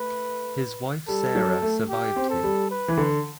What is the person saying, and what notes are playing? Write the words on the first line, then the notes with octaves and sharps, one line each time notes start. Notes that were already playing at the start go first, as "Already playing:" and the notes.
His wife Sarah survived him.
Already playing: A3 B4
G3 A4
F#3
A3
G4
C4
A4
G3
B4
E3
D3